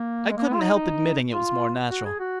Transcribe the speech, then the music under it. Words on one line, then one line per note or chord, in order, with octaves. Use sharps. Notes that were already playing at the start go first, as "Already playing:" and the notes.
I couldn't help admitting it was more natural.
Already playing: A#3
G#3
A#3
B3
F4
D#4
D#4
F4
F#4
G#4
F#4